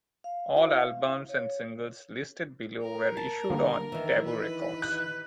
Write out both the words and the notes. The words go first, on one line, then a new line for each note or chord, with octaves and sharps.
All albums and singles listed below were issued on Tabu Records.
F5
E4 F#4 C5 E5 F5
F5
C#5
A#4
A5
D3 G3 A#3
D#3 E3
B4
F#6